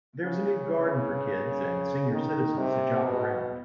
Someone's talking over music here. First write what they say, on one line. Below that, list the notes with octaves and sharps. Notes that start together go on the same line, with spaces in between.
There is a new Garden for kids and senior citizens to jog around.
C#3
D#3
C3
B2